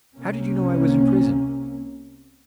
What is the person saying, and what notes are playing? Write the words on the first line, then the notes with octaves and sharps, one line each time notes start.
"How did you know I was in prison?"
C2 C3 A#3 C#4